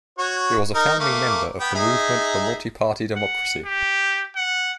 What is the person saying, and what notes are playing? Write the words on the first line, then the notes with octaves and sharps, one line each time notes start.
He was a founding member of the Movement for Multiparty Democracy.
F#4 C#5
D#4 A#4
A3 A#3 D6
B3 G5
D#4 G#4 E5
F#5
G4
F#5